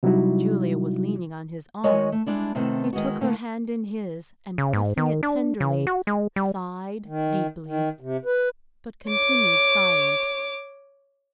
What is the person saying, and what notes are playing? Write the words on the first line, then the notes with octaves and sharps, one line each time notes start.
Julia was leaning on his arm: he took her hand in his, and pressing it tenderly, sighed deeply, but continued silent.
C3 F#3 G3 D#4 E4 F#4
G#3 F#4 A#4 C#5 D#5 G#5
A3
G3 G#3 D4 E4
C3 D#3 A3 B3 C4
D#3 G#3 B3 F#4
D3 A3 A#3
C#3
G#2
D#3
D4
C#3
F#4
G#3
G3
D#3
D#3
C3
B4
C#5 D6